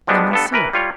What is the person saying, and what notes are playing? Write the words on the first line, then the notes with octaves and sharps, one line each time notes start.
Lemon Syrup.
F3 G3 G#3 B3 D4
G2 B3 A4
E3 A#4 B4
G3 F4 C#5